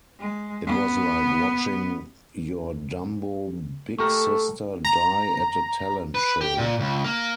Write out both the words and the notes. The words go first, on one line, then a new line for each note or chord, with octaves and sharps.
It was like watching your dumbo big sister die at a talent show.
G#3
B3
A3 G4 A4 A#4 C#6
A#5
B4
G4
A#2
C#2
A#3